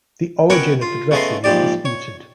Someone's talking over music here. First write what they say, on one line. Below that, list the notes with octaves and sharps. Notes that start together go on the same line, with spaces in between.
The origin of the dressing is disputed.
B3 C#4 A#4 C#5 F#5 G5
F4
C#3 A3 B3 D#5 C6
A#1 G#2 G4 D5
C#5